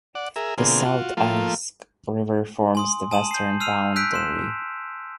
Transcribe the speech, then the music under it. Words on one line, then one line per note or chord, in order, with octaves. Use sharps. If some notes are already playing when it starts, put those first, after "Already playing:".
The South Esk River forms the western boundary.
D5 F#5
G#4 A#4 E5
B2 D3 A#3 C4 F4 G#4
F4 F#4
F3 A3 A#3 F4
G#5 C6 D#6
G#5 A5 D#6 D#7 E7 F#7
G6 C7
E6 F6 C7 D#7 F7
E6 F#6 G6 B6 D7
C6 E7